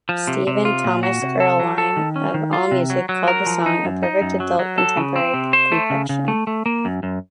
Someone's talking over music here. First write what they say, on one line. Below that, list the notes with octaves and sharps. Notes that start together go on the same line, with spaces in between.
Stephen Thomas Erlewine of Allmusic called the song a "perfect adult contemporary confection".
F3
C3
C3
F4
A#2
F#4
C3
A4
F#3
A4
D#3
C#4
D#3
F4
C3
F#3
F#3
A#4
F3
D#4
F#2
D#4
F#2
F#3
F#3
A4
C#3
C4
C3
C5
A3
C#3
C#3
A3
A3
A#3
F#2
F#2